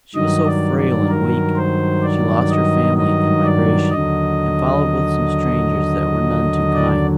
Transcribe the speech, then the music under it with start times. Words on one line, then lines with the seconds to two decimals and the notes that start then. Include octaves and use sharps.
She was so frail and weak she lost her family in migration, and followed with some strangers that were none too kind.
0.15 G2 D#3 F#3 D#5
0.46 D5
0.78 D5
1.09 A#4
1.56 C5
2.03 D5
2.51 D#5
2.97 D#5
3.44 D5
3.91 D#2 D3 F#3 D#5
6.74 D5